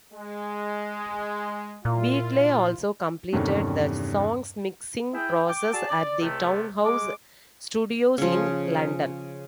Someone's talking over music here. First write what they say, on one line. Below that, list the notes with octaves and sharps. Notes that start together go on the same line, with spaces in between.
Wheatley also completed the song's mixing process at the Townhouse Studios in London.
G#3
A#2 E4 F4
E2 G2 C3 D#3 A3 C#4
E4 G#4 G5
G5 D6
F#4 G#4 D5 A5
D5
C#2 C3 A3
G#3 D6
C#3 F3